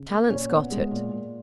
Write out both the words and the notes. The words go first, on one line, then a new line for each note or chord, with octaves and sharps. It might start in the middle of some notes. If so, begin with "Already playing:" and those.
"Talent's got it."
Already playing: C#3
A#3
A#2 C#4 C#5
B3
G#3
A#2
A#2